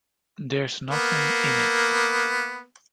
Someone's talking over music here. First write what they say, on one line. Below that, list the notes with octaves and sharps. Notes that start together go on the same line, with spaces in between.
There's nothing in it.
A#3 B3